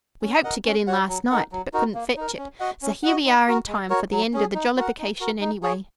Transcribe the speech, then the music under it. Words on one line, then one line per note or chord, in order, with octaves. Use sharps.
We hoped to get in last night, but couldn't fetch it, so here we are in time for the end of the jollification, anyway.'
C#4
A#4 D#5 F#5
C#4
F#4 C#5 F#5
F#3
D#4 A#4 F#5
F#3
D#4 F#4 A#4
A#3
D#4 A#4
C#4
F#4 D#5 F#5
C#4
F#4 D#5 F#5
D#4
F#4 A#4
G#3
F#4 A#4 C#5
F#3
C#4 G#4
D#4
F#4 A#4 F#5
D#4
F#4 A#4
D#4
G#4 C#5